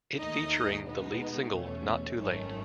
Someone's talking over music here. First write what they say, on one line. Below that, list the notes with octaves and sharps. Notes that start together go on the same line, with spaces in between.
It featuring the lead single "Not Too Late".
D#2 D#3 A3 D#4 D#5
B2 G#3 B3 D#4
E2 B2 A3 C#4
G#1 F#2 D#3 A3 C#4